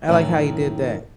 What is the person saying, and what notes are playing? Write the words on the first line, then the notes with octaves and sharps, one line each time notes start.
I like how he did that.
F#2 A2 D3 D#3